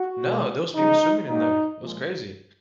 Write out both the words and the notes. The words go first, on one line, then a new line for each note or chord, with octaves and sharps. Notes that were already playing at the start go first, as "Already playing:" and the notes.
No, those people swimming in there. It was crazy.
Already playing: F#4
B2 G#3
C#3 F3 G#3 D#4
A#2 F#3 D#4
A#2 F3 G#3